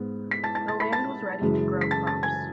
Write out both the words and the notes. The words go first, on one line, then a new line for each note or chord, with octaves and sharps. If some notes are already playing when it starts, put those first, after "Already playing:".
The land was ready to grow crops.
Already playing: G#2 G#3 B3
B6
A5 A6
A5 A6
A5 A6
B5 B6
A5 A6
F#2 C#3 E3 G#3
B6
A5 A6
A5 A6
G#5 G#6